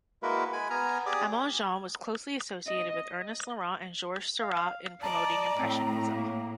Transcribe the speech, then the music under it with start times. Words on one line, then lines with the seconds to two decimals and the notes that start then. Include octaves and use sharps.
Aman-Jean was closely associated with Ernest Laurent and Georges Seurat in promoting impressionism.
0.23 G#3 A#3 E4 F#4 A#4 B4
0.53 G#3 G#5 B5
0.70 B3 G#5 A#5 F6
1.06 G4 G#4 D5 G#5 D6 D#6
2.67 D#5
4.40 F5
5.03 D5 D#5 A5 A#5
5.59 A2 C4
6.14 A#3